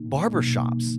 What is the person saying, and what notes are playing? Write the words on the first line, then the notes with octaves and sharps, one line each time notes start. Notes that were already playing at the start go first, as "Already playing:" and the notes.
barber shops
Already playing: A#2 A#3 D#4
B2 F#3 A#3 D#4